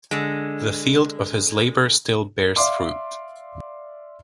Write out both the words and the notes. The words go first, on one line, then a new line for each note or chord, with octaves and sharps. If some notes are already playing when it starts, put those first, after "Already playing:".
The field of his labor still bears fruit.
D3 G#3
D5 E5 F5 C6 D6